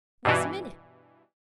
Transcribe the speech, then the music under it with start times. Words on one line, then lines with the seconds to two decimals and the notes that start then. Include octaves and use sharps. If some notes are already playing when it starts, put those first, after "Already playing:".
This minute!
0.25 G2 B2 E3